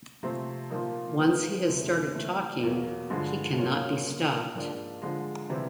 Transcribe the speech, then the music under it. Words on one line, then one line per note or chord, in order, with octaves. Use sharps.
Once he has started talking, he cannot be stopped.
C3 F3 A3 C4
A#2 F3 A#3 D#4
C#3 F3 G#3 B3
F2 C3 E3 G#3 C4
E3 A3 C4
E2 B2 F#3 A#3
G2 D3 F3 G#3
A#2 F#3 A#3 C#4 F4
C#3 F#3 A#3
G#2 F3 A#3 D4
D3 F3 G#3
C3 E3 G3 C4